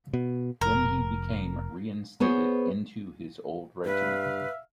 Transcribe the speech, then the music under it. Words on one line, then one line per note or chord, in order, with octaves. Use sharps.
Then he became reinstated into his old regiment.
B2
F1 A#4
B3 G#4 C5 C#5
G2 B4 E5 F5